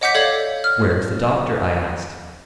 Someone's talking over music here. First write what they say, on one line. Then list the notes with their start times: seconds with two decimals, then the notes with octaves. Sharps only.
"Where is the Doctor?" I asked.
0.01 C#5 D#5 F#5 D6 G6 B6
0.15 A4 C#5 D5 F5 G#6
0.64 F6